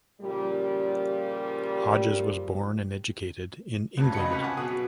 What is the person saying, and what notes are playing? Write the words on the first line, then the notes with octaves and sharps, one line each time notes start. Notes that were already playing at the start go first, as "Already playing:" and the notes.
Hodges was born and educated in England.
A#2 C#3 F3 G3
C#2 G2 F#3
G#1 C#3 F#4 D#5 B5 C#7
C#2 C3 C#4 F#6 B6
F#5 G#5 A5 D6
B2 F#3 G#4 F#5 D#6